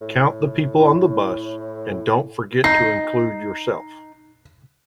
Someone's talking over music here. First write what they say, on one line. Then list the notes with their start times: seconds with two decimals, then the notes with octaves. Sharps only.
Count the people on the bus, and don't forget to include yourself.
0.02 A2
0.80 E4 C#5
2.64 D#4 C7